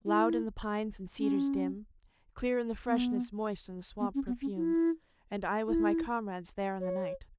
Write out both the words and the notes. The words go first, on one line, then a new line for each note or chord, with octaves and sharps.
Loud in the pines and cedars dim, Clear in the freshness moist and the swamp-perfume, And I with my comrades there in the night.
E4
C#4
B3
B3
C#4
B3
C#4
E4
E4
C#5